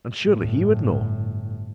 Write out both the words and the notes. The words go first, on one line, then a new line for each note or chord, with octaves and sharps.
"And surely he would know!"
G1 A2